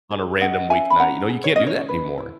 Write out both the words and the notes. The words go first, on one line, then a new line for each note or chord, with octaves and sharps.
on a random weeknight, you know, you can't do that anymore.
G#4
C#4 D#5 F#5
C#4 E5 G#5
B5
C#4 F#5 A#5
G#4
C#5
C#4 D#5
C#5
B4
E4